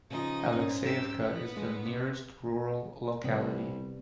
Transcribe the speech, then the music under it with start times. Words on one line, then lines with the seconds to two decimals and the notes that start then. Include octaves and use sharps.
Alexeyevka is the nearest rural locality.
0.10 C#3 F3 D#4 D#5
0.53 G#2 C#4
0.83 G4 E6
1.20 B3
1.55 G#3 D4
1.85 C3
3.24 C2 C3 G3 B3